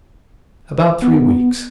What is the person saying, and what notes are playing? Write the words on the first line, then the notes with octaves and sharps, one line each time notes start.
"About three weeks."
B3